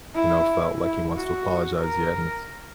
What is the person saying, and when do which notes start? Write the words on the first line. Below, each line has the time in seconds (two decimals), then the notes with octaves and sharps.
you know, felt like he wants to apologize yet, and it's
0.14 E4
0.82 E4
1.15 F#4
1.82 A#4